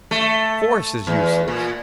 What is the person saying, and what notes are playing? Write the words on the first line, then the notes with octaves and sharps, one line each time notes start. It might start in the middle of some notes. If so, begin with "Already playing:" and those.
Force is useless!
A3
E2
A#2